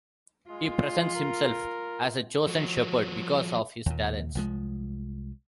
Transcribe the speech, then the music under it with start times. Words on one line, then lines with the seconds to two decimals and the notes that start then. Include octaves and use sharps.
He presents himself as a chosen shepherd because of his talents.
0.50 G#3 F4
1.15 A#4
2.47 F3 F#4
3.86 D#2 A#2
4.35 C2 F3 G#3